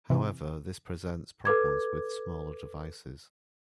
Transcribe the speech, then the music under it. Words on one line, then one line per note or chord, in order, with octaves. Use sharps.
However, this presents problems with smaller devices.
C3 E3
A4 B4 D6 G#6